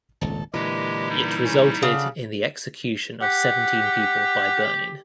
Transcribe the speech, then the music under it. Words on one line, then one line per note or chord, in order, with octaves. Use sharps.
It resulted in the execution of seventeen people by burning.
D#1 G#1 C#2 A4
A#2 D3 E3 G#3 G4 A#4 B4
G3 D#4 E4
C#3 G#3 A#3
C#3 D4 A4 F#5
G4 F#5